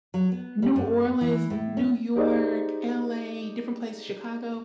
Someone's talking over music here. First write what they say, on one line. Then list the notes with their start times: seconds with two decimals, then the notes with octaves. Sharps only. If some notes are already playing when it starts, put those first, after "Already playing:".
New Orleans, N New York, LA, different places Chicago.
0.14 F#3
0.32 B3
0.62 G3
0.76 G2
1.21 E3
1.50 A2
1.77 C#4
2.16 D#4 G4 G#4 C5 D5 D#5